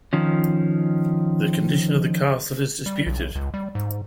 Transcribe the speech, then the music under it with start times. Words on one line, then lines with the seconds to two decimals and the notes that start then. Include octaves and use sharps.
The condition of the castle is disputed.
0.13 D#3 F3 C#4
2.86 G3
3.07 B1
3.35 C#2
3.54 G3
3.75 G#2